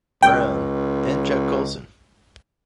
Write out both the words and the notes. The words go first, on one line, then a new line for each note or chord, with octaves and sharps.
Brown, and Chuck Colson.
C#2 G5